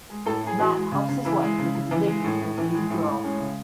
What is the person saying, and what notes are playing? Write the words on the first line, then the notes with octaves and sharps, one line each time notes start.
Matt helps his wife with the delivery of their baby girl.
G#3
A2 A4
A2 G#4
E3 F#4
G#3
C#3
C#3
E3 E4
G#3
C#3
C#3
E3
G#3
A2
A2
E3
G#3
A2
A2
G#3 C#4
C#3